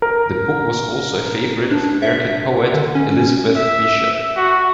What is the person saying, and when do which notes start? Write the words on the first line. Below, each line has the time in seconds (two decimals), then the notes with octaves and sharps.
The book was also a favourite of American poet, Elizabeth Bishop.
0.02 A#4
1.71 D4
2.02 E5
2.74 D3
2.95 C#4
3.56 E5
4.36 F#4